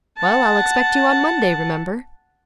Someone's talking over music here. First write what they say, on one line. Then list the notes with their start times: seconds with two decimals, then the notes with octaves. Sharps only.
"Well, I'll expect you on Monday, remember."
0.18 F#5 A5